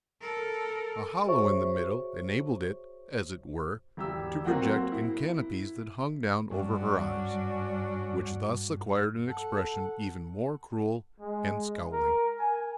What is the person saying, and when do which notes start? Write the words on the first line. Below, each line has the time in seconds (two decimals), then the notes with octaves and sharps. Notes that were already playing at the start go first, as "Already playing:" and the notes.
A hollow in the middle enabled it, as it were, to project in canopies that hung down over her eyes, which thus acquired an expression even more cruel and scowling.
0.20 A4 A#4
1.27 F#4 G#4 C5 C#5 E5 C#6
3.97 E1 G4 E6
4.45 F#3 A#3 C4 F#4 F#5 G5
4.92 E4
6.51 G2 C#4 D4 F#4
9.28 A4 F#5
11.20 G#3
11.92 A#4
12.39 G#5